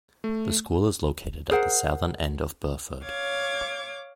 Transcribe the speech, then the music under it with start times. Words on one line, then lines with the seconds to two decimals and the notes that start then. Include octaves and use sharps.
The school is located at the southern end of Burford.
0.24 A3
1.51 G#4 A#4 C5 F#5
3.05 C#5 F5 D6 G#6